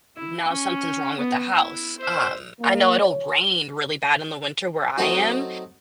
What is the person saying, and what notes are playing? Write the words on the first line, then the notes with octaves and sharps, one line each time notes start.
now something's wrong with the house. Um, I know it'll rain really bad in the winter where I am,
E4
C#4
B3
E4
C5 E5
A#3
C#5
F#3 A3 C4 D#4 F#4